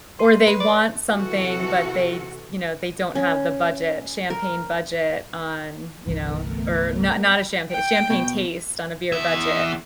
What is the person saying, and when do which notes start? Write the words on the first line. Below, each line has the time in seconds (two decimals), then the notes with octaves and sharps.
or they want something, but they d you know, they don't have the budget. Champagne budget on, you know, or not not a champa champagne taste on a beer budget.
0.19 C6 C7 D#7
0.47 B4
0.60 D5
1.14 C3 E3 F#4 A4
3.15 C#4
4.30 A#4
6.06 G1 C2 E3 A3 B3 A#4
7.71 G5
8.10 B2
9.12 E2 E5